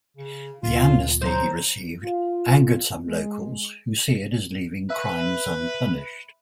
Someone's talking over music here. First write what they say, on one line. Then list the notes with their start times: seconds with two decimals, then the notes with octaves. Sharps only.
The amnesty he received angered some locals, who see it as leaving crimes unpunished.
0.17 C#3
0.63 D2 A#2 F4
1.21 F#3 C5 A#5
2.04 F4
3.07 G#3
4.90 B4 E5